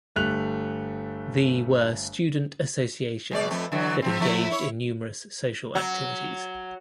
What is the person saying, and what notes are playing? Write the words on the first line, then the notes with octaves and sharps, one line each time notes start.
The were student associations that engaged in numerous social activities.
G1 G3 A3 F#6 F7
B2 G#3 D5
F2 A3
D3 E3 F#3
F3 C4
F3 A3 E4
E4 C#5
F#3